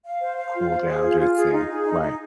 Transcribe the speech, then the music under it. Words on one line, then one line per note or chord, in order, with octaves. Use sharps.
Cool down, just seeing Right.
F5
C5
F5
F4
C5
G#4
F4
F4
G#4
D#4
G#4
D#4
D#4